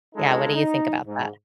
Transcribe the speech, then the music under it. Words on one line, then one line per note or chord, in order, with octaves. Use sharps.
Yeah, what do you think about that?
G#3 C#4 D#4 F4 A4
D#4
G#2